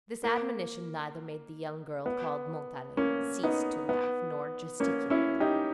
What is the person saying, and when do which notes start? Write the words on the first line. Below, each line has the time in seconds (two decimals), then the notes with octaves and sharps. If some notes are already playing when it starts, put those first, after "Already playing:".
This admonition neither made the young girl called Montalais cease to laugh nor gesticulate.
0.24 A#3
2.06 B3
2.97 A#3 C#4
3.43 B3 D#4
3.89 B3
4.80 A#3 C#4
5.10 C#4 E4
5.40 D#4 G4